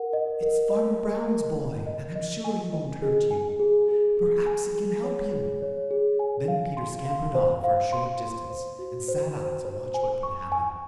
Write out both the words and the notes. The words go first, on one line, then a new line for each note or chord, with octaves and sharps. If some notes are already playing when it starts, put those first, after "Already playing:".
"It's Farmer Brown's boy and I'm sure he won't hurt you. Perhaps he can help you." Then Peter scampered off for a short distance and sat up to watch what would happen.
Already playing: A#4 F#5
D#5
A#4
D#5
D#5
A#4
A#4
D#5
D#5
G#5
D#5
G#4
G#5
G#4
G#4
G#4
G#5
G#4
C#5
G#4
C#5
G#4
G#5
F5
C6
F5
C5
F5
C6
C5
C5
F#4
C5
C5
C5
G#5
C#6
G#5